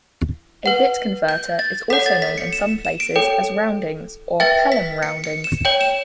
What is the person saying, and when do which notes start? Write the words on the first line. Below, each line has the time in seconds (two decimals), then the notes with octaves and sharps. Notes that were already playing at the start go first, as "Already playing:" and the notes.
A bit converter is also known in some places as 'roundings' or 'pelham roundings'.
0.66 B4 F#5
1.29 G6
1.59 A6
1.90 A4 C#5 F#5 B6
2.06 A6
2.22 B6
2.38 C#7
2.53 E7
2.85 E7
3.00 D7
3.16 A4 C#5 G5
4.40 B4 E5 G5 A6
4.72 B6
5.03 C#7
5.24 C#7
5.44 E7
5.65 C#5 G5 F#7
5.81 E7